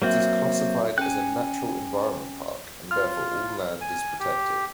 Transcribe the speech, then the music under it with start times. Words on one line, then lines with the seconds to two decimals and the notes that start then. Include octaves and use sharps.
It is classified as a Natural Environment Park and therefore all land is protected.
0.02 F#3 A#3 C4 F#4 E5
0.98 C#4 G5 G#5 F#6
2.91 F4 F6
3.81 G#5
4.20 G4